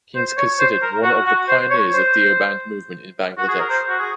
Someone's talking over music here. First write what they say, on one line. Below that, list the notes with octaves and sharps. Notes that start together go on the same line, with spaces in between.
He is considered one of the pioneers of Deoband movement in Bangladesh.
C5
C#5
C5
A#4
F#4
F#4
C5
C#5
C5
F#4
G#4
A#4
C5
F#4
G#4